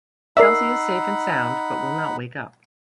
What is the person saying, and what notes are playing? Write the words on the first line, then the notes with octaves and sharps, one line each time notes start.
Chelsea is safe and sound, but will not wake up.
D#4 A#4 D5 E5 F#5 B5 E6 C7